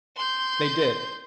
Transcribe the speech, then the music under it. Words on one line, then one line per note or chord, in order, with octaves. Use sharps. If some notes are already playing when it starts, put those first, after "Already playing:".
They did.
C6 G6